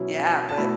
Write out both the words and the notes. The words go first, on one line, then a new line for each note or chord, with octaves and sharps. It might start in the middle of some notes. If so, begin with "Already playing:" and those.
Yeah, but
Already playing: B2 F#3 C#4 E4
A5
B2 A3 E4 B5